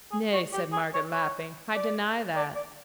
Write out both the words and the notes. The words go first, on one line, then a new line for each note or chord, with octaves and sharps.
'Nay,' said Margaret, laughing, 'I deny that.
G#4
F#4
G4
G#4
C#5
C#5
D5
D5
D5